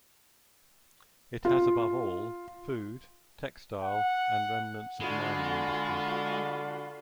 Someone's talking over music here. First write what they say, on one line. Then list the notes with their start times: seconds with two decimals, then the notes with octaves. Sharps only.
It has above all food, textile and remnants of mining industries.
1.45 F4
3.83 F#5
5.00 D3 G#3 F4 F#4 B5